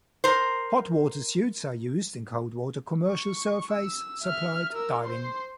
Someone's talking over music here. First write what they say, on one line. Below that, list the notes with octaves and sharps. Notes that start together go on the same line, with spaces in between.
Hot water suits are used in cold water commercial surface supplied diving.
A#4 C5
C#6
E6
E5 F6
A#4 E6
C5 C6